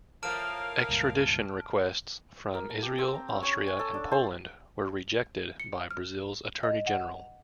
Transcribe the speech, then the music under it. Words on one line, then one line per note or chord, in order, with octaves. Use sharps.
Extradition requests from Israel, Austria and Poland were rejected by Brazil's Attorney General.
A2 F3 A#3 A#4 F5 A5 F6 D7
C#2 G2 A#2
A#4
A5
G4
C4
A#5
C#4
C#5
G#5
A4
D4
C5
C#7
F6
D#5
F#5